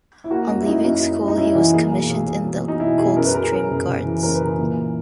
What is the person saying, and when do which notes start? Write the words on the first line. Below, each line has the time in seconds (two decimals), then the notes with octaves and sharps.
On leaving school he was commissioned in the Coldstream Guards.
0.24 E4
0.31 A#3 F#4
0.48 F#2
0.60 E4
0.66 F#2 D#4
0.84 F#2
1.02 F#2
1.20 F#2
1.28 D#4
1.37 F#2 E4
1.55 E3 F#4
1.73 A#3 G#4
1.91 B1
2.09 B1
2.27 B1
2.45 B2
2.63 B2
2.68 D#4
2.80 B2 E4
2.98 B2 G#4
3.16 F#2 A#4
3.25 B4
3.34 F#2 A#4
3.43 G#4
3.51 F#2 A#4
3.70 F#1
3.87 F#1
4.05 E3
4.23 F#1 A#4
4.34 B4
4.42 E3 A#4
4.59 A#2